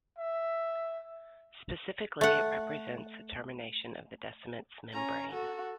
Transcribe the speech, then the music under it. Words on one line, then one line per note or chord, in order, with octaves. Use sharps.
Specifically, it represents the termination of Descemet's membrane.
E5
A3 F#5
C#4 A#5
F#4 A4